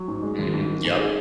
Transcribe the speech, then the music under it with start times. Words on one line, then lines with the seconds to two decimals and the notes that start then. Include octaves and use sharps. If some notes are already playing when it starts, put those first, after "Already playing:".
Mhm. Yep.
Already playing: F#3
0.08 G#2
0.23 G#3
0.38 G#1
0.54 G#2
0.69 D#3
0.85 G#2
0.99 G#4